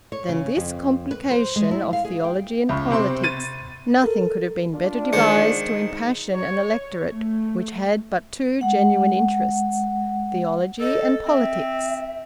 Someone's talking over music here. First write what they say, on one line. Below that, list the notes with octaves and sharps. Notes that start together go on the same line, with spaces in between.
Than this complication of theology and politics nothing could have been better devised to impassion an electorate which had but two genuine interests-- theology and politics.
C#5
C#3
F2
B4
C5
G#3
E4
F5
G#4
G5
C#2 E5 B5 C#6
C3 C4 C6
A6 D#7
A4 A#4
D4 F4
D#3 G#3 C5 C#7
C#5
A3
G#3 F#5
A4 D#5
C4 E5